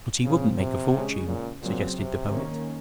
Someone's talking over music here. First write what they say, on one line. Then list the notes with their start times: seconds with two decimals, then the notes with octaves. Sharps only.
"But he wouldn't make a fortune," suggested the Poet.
0.24 A#2 C#3 F3 C4
0.58 C3
0.93 C#3 G#3 C#4
1.27 A#2
1.62 A#2 C#3 F#3 C4
1.96 C3
2.30 D#3 A#3 C#4